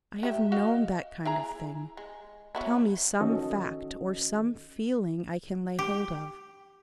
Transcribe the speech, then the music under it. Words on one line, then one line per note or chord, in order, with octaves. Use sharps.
I have known that kind of thing. Tell me some fact or some feeling I can lay hold of.
G4 E5
F#4 D#5 F5
E4 G#4 A#5
G#3
F#3 B3 E4
D#3 C#4 F#4 A4 D#5
G4